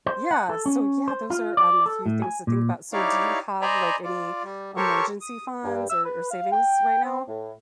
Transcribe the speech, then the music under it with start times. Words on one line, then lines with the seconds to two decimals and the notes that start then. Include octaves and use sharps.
Yeah, so yeah, those are, um, a few things to think about. So do you have like any emergency funds or or savings right now?
0.06 C5
0.31 F#5
0.49 A4
0.66 C#4
1.08 C5
1.30 F4
1.57 D5
1.86 A4
2.06 A2
2.22 G#5
2.47 A#2
2.93 D#4 E4 G4 C#5 D5 F5
3.62 C5 D5 D#5 G#5 A#5 B5
4.04 F4 D5
4.43 G3
4.77 G4 A4 A#4 C5 C#5 C#6
5.21 D#6
5.64 G2
5.90 E6
6.05 B4
6.31 F5
6.52 G5
7.04 C4
7.27 A2